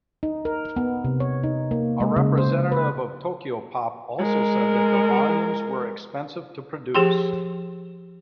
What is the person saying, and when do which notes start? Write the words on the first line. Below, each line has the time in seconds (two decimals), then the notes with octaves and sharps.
A representative of Tokyopop also said that the volumes were expensive to produce.
0.23 D#4
0.45 A#4
0.76 B3
1.04 C3
1.20 C#5
1.43 D#4
1.71 A#3
2.00 G#3
2.16 C#3
2.38 C5
2.72 B4
4.18 G#3 A#4
6.94 F3 G4 G#4 G5 C6